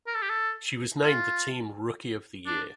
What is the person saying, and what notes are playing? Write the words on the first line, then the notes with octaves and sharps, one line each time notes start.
She was named the team Rookie of the Year.
A#4
A4
G4
A4
F4
D4